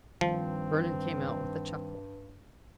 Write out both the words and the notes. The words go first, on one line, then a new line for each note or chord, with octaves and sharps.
Vernon came out with a chuckle.
G2 D#3 F3 G3 C4